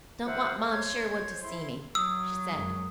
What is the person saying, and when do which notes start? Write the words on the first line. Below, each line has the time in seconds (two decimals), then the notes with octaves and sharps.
"Don't want Marm Sherwood to see me," she said.
0.24 F4 C5 E5 F#5
0.58 A4
0.72 C5 C#5 G#6
1.43 E4 C6
1.95 F#3 D#6 E6
2.52 F#2 G#3